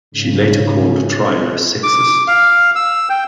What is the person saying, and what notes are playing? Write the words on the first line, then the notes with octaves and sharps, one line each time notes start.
She later called Trier sexist.
G#2 C#3
D6
F5
E6
G5